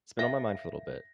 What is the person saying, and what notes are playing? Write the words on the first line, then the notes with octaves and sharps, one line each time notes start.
it's been on my mind for little bit
E5 F5 A#6